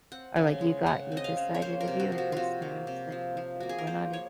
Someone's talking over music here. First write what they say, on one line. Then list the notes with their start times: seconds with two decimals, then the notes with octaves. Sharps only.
or, like, "You got you decided to be with this man," I'm just like, "Okay, we're not ev"
0.12 C4 F#5
0.36 C#3
0.61 G#3
0.86 C#3 F#5
1.12 C4
1.17 D#5
1.24 F5
1.37 C#3
1.55 C#5
1.62 A#3 C5
1.81 A#4
1.88 C3
2.00 F#4
2.12 F3
2.18 F#4
2.32 C3 F4 F#4
2.62 A#3
2.87 C3
3.12 F3
3.37 F3
3.60 A#3 F#4
3.69 G#4
3.78 A#4
3.87 A#3 C5
4.13 F3 C#5